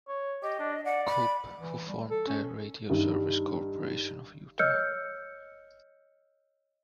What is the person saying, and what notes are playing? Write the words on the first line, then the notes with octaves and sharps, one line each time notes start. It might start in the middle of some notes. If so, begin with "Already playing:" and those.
Cope, who formed the Radio Service Corporation of Utah.
C#5
G4 D#5
D4
D5 F#5
B5
E3
G3
A4
C#4
G2 D#3
C#5 D#5 E6 F6 G6 C#7